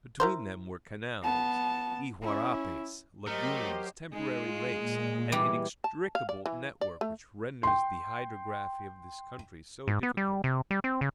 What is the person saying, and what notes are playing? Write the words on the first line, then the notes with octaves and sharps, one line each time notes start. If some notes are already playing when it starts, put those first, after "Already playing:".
Between them were canals, iguarapes, lagoons, temporary lakes, an inextricable network which renders the hydrography of this country so difficult.
E4 A#4 C5
B3 A5
C#4 E4
F#3 A3 G4 A#4 C5 D#5
G#3 D#4 G#4
F4
A#2
E3 G3
A5
F5
D5
E3
D5
A3
G5 C6
G#2
B3
G3
C3
G3
C4
C#3